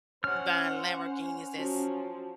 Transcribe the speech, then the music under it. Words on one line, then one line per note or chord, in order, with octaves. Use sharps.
buying Lamborghinis that's
C#4 C5 F#5 F6
F3 F#3